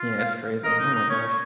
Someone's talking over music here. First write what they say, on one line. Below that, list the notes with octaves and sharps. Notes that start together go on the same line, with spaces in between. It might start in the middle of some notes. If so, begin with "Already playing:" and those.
Yeah, it's crazy. Oh my gosh.
Already playing: F4
F5
A#4 D#5
D#4
D#4
C#4 C#5